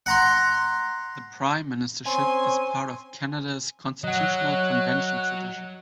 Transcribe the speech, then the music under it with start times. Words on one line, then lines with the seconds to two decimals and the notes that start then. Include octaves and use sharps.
The prime ministership is part of Canada's constitutional convention tradition.
0.06 F#5 A#5 C6
2.06 C4 C#4 G#5 C6
4.04 F#3 C#5 D#5 F#5 F#6